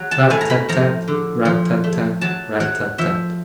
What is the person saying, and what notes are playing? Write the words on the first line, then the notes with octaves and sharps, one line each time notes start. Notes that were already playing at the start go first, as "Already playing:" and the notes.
'RAT--tat-tat, RAT--tat-tat, RAT--tat-tat.'
Already playing: F#3
A5
A2 G#5
A#5
B5
F3 A#5
D3
F3
A3
F#3 A5
F#3 F#5
F3 E5